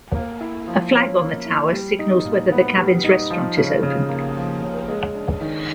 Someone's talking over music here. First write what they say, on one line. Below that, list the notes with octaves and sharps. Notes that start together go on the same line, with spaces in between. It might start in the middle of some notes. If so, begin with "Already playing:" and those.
A flag on the tower signals whether the cabin's restaurant is open.
A#3
E4
F3
C#4
A#3
E4
G3
D#4
A#2
B3
G3
D#4
F3
C#3
C#3
A#3
F3
C#3
G#3
D4
D#3